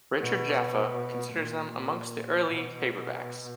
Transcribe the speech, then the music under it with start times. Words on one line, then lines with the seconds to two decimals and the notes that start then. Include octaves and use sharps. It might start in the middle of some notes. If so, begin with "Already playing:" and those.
Richard Jaffa considers them "amongst the early paperbacks".
0.20 B2
1.34 A#2
2.48 B2